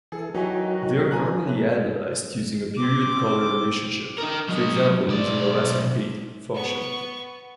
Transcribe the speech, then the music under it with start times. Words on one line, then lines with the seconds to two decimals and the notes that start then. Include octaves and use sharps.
They are normally analysed using a period-colour-relationship, for example using a Wesenheit function.
0.12 E3 G#4 A4
0.35 D#3 E3 F#3 D#4 F#4 G4 G#5
1.11 G#5 A#5 F#6
1.44 A2 B4
2.77 C4 D6
4.18 D#4 A#4
4.48 F#3 D#5
5.08 B1 D5
6.54 B3 C#6